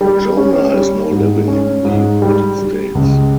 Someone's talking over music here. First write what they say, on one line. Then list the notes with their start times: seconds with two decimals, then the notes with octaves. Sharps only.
Jona is now living in the United States.
0.01 G3
0.37 C#4
0.74 G3
1.11 G#2
1.48 C#4
1.85 G#2
2.22 G3
2.58 G3
2.95 C#2